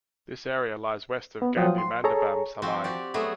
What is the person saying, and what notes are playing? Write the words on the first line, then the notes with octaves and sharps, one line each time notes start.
This area lies West of Gandhi Mandabam Salai.
B3
F3 F#3 F4 F#5 G5 D#6
C6
G#4 A4 C#5 A#5
F3 C4 F#4
F#4 G4 D5
F#3 G3 A3 B3 F#4 G#4